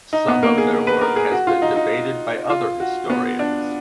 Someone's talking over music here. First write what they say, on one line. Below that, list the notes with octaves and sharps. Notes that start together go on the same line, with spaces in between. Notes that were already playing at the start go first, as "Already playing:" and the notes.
Some of their work has been debated by other historians.
D#4
B3
A#3
G#4
B4
A#4
G#4
F#4
F4
D#4
D#4
F4
F#4
B3
D4